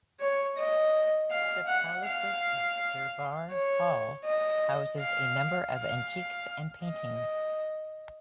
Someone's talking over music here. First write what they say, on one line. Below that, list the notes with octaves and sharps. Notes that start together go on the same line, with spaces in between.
The palace's Durbar Hall houses a number of antiques and paintings.
C#5
D#5
F5
F#5
F5
C#5
D#5
F5
F5
D#5